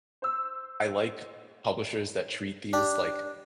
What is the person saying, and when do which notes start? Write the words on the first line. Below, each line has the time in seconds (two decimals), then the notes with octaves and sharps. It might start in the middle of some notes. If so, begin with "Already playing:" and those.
I like publishers that treat these, like,
0.22 C5 E6
2.73 D4 G4 D5